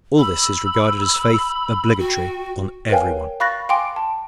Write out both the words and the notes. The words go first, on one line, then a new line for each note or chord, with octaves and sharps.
All this is regarded as faith obligatory on everyone.
B5 E6
F#4 G5
A#4 B4 C#5 F5 G5 G#5
F5 B5 C#6 F#6 A6 A#6
F5 G5 G#5 C6 D6 D7
A5